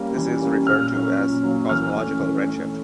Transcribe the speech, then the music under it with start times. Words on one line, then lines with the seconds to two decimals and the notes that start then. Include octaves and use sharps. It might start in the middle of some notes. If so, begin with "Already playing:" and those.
This is referred to as cosmological redshift.
Already playing: G3 A#3 C#4
0.15 E3
0.41 G3 A#3 C#4
0.66 A#2 F6
0.92 F#3 A#3 C#4
1.18 A#2
1.43 F#3 A#3 C#4
1.69 E3 F6
1.95 A3 C#4
2.19 E3
2.46 A3 C#4